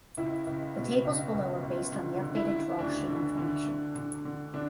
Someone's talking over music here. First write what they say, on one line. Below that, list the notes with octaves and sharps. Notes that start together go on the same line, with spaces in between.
The tables below are based on the updated draw sheet information.
C#2 E4
C#2
B2
C#2
C#2
C#2
D3
D3
E4
D3
D2 D4
D3
D3
D3
D3
D3
D3 D4